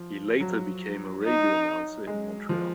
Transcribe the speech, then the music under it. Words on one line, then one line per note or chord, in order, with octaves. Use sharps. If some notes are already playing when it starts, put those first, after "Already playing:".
He later became a radio announcer in Montreal.
Already playing: F3
F#3
D#4
G#3
F3